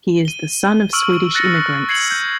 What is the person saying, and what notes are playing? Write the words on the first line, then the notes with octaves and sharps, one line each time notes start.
He is the son of Swedish immigrants.
D#7 G7
C#6 E6 F6 D7 F#7
F#6 A6 A#6 C#7
F#6
G#6 C7 C#7 F#7
G6